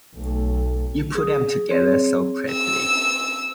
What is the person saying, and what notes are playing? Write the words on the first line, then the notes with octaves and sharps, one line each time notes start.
You put 'em together so prettily.
B1 A3
G#4 D#6
C4 G#4 C#5
E6